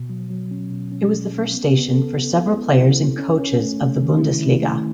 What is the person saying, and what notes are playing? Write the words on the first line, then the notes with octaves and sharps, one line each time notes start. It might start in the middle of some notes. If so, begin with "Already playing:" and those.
It was the first station for several players and coaches of the Bundesliga.
Already playing: B2
F#3
F#3
C#4
B2
C#4
F#3
C#4
B3
B3
A4
B3
E4
B3
E4
A4
C#4
C#4
A3
C#4
D#3
E4
E4
A3